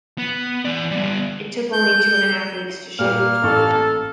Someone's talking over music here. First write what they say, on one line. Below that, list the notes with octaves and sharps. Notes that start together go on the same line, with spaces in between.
It took only two and a half weeks to shoot.
B3
E3 D5
G3 B3
G6
A#2 G3 A#3 F6
A1 A4 C#6